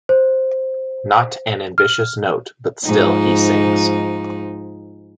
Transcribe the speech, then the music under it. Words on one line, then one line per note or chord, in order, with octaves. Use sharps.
Not an ambitious note, but still he sings.
C5
F6
G#2 F3 D#4